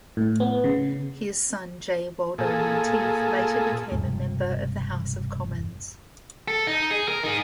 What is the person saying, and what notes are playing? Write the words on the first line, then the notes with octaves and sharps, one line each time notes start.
His son Jay Waldo Monteith later became a member of the House of Commons.
A2
B3
C#3
A#2 G#4 A4
E1 G2 C3 G#3
A4
D#4
G#4
A#4
D#4 G#4